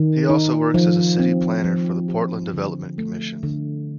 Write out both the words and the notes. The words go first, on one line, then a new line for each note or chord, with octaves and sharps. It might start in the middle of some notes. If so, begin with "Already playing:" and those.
He also works as a city planner for the Portland Development Commission.
Already playing: D#3
D#4
F3
C4
F3
G4
D3
A3
D3